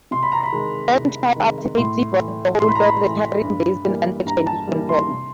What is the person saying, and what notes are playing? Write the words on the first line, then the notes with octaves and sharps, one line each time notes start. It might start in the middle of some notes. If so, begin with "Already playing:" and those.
Ban Chao ultimately brought the whole of the Tarim Basin under Chinese control.
C3 C6
B5
A#5
B5
D#3 G#3
C3
D#3 G#3
A2 C6
E3 A3
A2 C6
B5
A#5
B5
E3 A3
G2
E3 G3 A#3
G2 A#5
A5
E3 G3 A#3
C6
C3